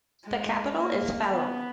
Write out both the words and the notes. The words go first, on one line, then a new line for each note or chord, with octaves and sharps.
The capital is Phalombe.
G#3
A#3
B3